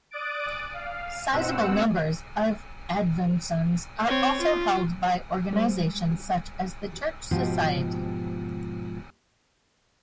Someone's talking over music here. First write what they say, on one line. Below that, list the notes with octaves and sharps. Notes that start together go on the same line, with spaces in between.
Sizable numbers of advowsons are also held by organizations such as the Church Society.
D5 D#6 F#6 A6 D7
F5
G2 B2 C4 F#5 E6
C4 C#5
F4
G3 G#3 C5
G#2 B2 F3 G4